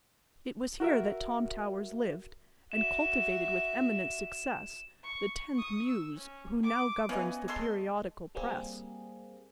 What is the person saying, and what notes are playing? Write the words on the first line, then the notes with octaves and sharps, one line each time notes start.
It was here that Tom Towers lived, and cultivated with eminent success the tenth Muse who now governs the periodical press.
F#4 A#4 E5
F#4 E5 E7
C#6
C#6 D#6
E6
C#4
D6
E3 F3 B3 C#4 C#5 D#5
G#3 A4 C6
G3 A#3 C4 G#4